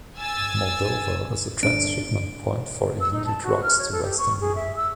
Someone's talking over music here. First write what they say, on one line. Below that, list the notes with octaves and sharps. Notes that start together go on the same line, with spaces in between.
Moldova is a transshipment point for illegal drugs to Western Europe.
G#5 E6 A6
G1 D4 D7
E6
D#4
A5
F#4
F6
C#5
A4
G4
C#6
G#4
E5
E6